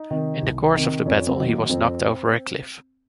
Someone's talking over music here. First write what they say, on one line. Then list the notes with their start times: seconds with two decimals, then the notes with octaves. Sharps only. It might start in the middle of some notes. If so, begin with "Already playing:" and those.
In the course of the battle he was knocked over a cliff.
Already playing: D#4
0.10 C3 D#3
0.42 C2
0.74 C3 D#3
1.06 F2 C#4
1.27 C4
1.38 D#3 F#3
1.48 A#3
1.69 F2 C4